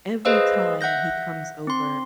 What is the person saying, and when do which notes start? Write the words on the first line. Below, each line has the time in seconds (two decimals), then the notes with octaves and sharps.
every time he comes over
0.25 G#4 B4 C5 D#5 F5 E6
0.81 E5 F#5 F#6 G6 A#6
1.67 C4 C6